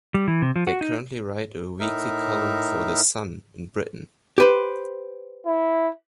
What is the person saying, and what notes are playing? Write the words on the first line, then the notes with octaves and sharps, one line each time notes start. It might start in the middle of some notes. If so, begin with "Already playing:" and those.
They currently write a weekly column for "The Sun" in Britain.
G3
E3
C3
F3
F#4
D#4
A2 D#4 A#4 E5
G4 B4 C5
E4